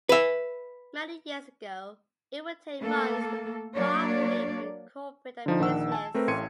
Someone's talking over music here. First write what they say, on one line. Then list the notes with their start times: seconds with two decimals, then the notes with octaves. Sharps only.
Many years ago, it would take months to properly incorporate a business.
0.09 B4 E5
2.81 A3 A#3 A4
3.74 F#3 A#3 D4 C#5 D5
5.46 D3 F3 D#4
5.59 A#1 D#3 D4 F#5 E6
5.92 G#5 A5
6.14 A3 C4 A#4 B4
6.27 A1 A2 C6 G#6 C#7 D#7